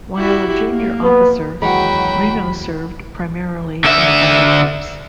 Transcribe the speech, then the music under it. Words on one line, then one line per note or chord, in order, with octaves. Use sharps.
While a junior officer, Reno served primarily in battleships.
E4 F#4 G4
A#3
B3
D#2 E3 F#3 G#3 F#4 G5 B5
D3 E5